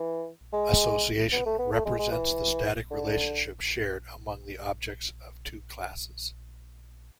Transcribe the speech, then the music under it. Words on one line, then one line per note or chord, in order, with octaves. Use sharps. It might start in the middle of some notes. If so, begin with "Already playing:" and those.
Association represents the static relationship shared among the objects of two classes.
Already playing: E3
G#3
B3
A3
B3
A3
G#3
G#3
E3
D3